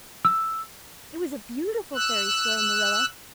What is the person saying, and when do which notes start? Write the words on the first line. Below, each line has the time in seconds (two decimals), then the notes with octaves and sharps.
It was a beautiful fairy story, Marilla.
0.25 E6
1.95 E6 F#6